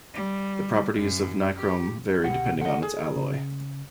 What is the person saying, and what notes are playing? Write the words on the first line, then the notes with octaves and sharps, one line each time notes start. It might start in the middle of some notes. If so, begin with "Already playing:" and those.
The properties of nichrome vary depending on its alloy.
G3
F#2
G4
C2 B2 G4 F#5
A4 D#5 F#5
G#4
C#3